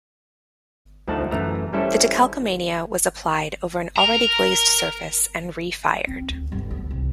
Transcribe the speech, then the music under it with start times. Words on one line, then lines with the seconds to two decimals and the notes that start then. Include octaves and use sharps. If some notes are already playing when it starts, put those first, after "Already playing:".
The decalcomania was applied over an already-glazed surface and re-fired.
1.08 D2 F3 A3 D#4 F#5 A5
1.31 F#2 E3 A3 A#5
1.73 G3 C#4 E4 A4 B4 C5
3.96 A#4 A#5
6.07 C4 C#4
6.29 D2
6.52 G1
6.70 D2
6.91 C2